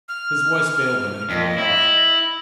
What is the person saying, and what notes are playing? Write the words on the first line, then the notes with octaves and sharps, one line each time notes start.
His voice failed him, and he broke off.
F6
F2 D#5
E4